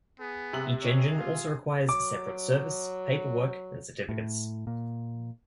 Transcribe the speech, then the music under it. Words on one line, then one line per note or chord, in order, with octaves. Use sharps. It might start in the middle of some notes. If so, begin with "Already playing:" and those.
Each engine also requires separate service, paperwork, and certificates.
B3 G#4
C3 F#7
G#4 C#5
F4
F#3 D6
A2
A#2